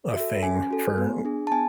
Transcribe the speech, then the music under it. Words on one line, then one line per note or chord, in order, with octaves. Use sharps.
a thing for
F#4 A4 E5
C#4 G#5
F#4 A4
B3
D4 G#4
A5
B3 G#5